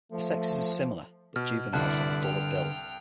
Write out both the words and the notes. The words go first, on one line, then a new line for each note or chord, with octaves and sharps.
The sexes are similar, but juveniles have a duller bill.
F3 A3
B2 F6
C2 G2 D3 E4 D5 A5 F#6
G5 F6